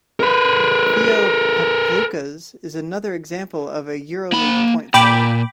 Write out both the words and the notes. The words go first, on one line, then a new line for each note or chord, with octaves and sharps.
Theo Papaloukas is another example of a Euroleague point forward.
A#4 B4
A#3 B5
A#2 G5 B5 D6